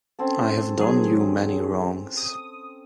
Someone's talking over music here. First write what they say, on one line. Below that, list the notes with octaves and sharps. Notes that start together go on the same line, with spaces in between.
I have done you many wrongs.
C4 C#4 A4
D#3 F#3 G#4
D#6